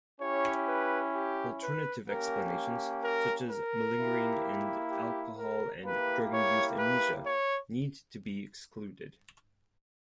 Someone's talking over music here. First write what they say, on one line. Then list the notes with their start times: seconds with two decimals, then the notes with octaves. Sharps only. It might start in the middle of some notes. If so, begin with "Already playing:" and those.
Alternative explanations, such as malingering and alcohol and drug-induced amnesia, need to be excluded.
0.21 C#4 E4 G4 C#5
0.67 B4
1.15 G4
1.62 B4
2.08 A#3 C#4 G4 A#4
3.04 A#4
3.50 A#4
3.97 A#3 E4 G4
4.91 G4
5.38 A#4
5.85 A#3 E4 G4 B4
6.33 C#5
6.79 B4
7.26 C#5